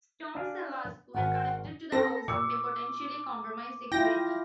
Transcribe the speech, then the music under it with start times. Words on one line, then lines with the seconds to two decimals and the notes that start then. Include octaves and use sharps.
Storm cellars, when connected to the house, may potentially compromise security.
0.35 D4 F5 G#5
1.15 G#1 A#4 F#5 G#5
1.92 C4 A4 A#6
2.28 A#2 C#6 D6 E6 C#7
3.92 E4 F4 G5 A#6